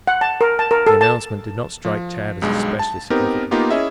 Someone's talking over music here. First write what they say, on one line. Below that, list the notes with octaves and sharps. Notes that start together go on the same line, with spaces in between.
The announcement did not strike Tad as especially significant.
F#5
A5
A#4
A5
A#4
A4
A5
F3
B1 G2 G#3
A5
B3 C4 D#4 G4 A#4
A#3 B3 D#4 F4 G4
C#4 E4 G#4 D#5 E5